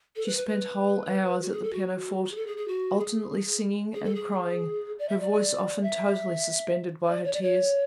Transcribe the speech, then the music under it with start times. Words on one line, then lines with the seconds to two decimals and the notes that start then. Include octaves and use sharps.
She spent whole hours at the pianoforte alternately singing and crying; her voice often totally suspended by her tears.
0.16 A4
0.26 B4
0.37 B4
0.48 B4
1.42 F#4
1.52 G#4
1.63 A4
1.73 F#4
2.31 G#4
2.36 A4
2.47 G#4
2.57 G#4
2.68 F#4
2.99 G#4
3.94 G#4
4.04 A4
4.15 G#4
4.99 D5
5.09 E5
5.20 D5
5.83 E5
7.08 D5
7.25 C#5
7.33 D5
7.42 C#5